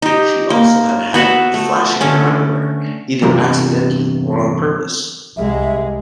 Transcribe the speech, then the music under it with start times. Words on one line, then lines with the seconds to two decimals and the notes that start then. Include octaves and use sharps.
She also had a habit of flashing her underwear either accidentally or on purpose.
0.02 D#4 G4
0.50 A#3
1.14 B3 F#4 B4 E5
1.54 A3
2.01 D3 A3 C#4
3.22 E2 G2 C3 A#4
5.37 C2 G#3 E5